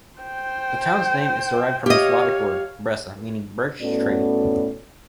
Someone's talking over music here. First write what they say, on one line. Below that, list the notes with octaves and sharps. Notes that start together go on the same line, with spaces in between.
The town's name is derived from a Slavic word, "breza", meaning "birch tree".
C5 G5
G4 C#5 D#5 F5
A2 B3 C#4 F#4 A4 D5